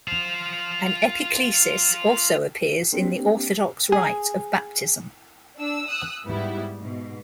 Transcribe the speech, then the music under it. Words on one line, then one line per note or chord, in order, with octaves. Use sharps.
An epiclesis also appears in the Orthodox rite of Baptism.
F4 C5
A#3 C4 D4 G4
G#4
D4 E6
D#6 E6 F#6
G#2 G3 B3 E4
G#2 B2